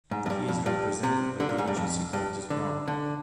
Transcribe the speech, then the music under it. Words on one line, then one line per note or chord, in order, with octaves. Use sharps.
He is represented by the agency Curtis Brown.
G#2
F2
G2
F2
G2
C3
D3
A#2
G#2
G2
F2
G2
D3
D3